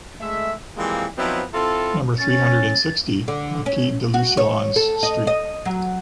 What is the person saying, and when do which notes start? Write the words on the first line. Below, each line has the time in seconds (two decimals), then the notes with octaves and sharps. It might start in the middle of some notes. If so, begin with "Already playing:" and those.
Number three hundred and sixty, Maquis de Lucelans street.
0.20 G#3 A3 E5
0.77 E3 F3 G3 G#3 A#3 C4
1.18 F3 F#3 B3 C4 D#4 E4
1.53 C4 E4 F4 A4
2.18 C#4 A6
3.28 D3
3.66 C#4
4.14 F#4
4.37 C#5
4.76 A4
5.03 D#5
5.27 D#5
5.65 F#3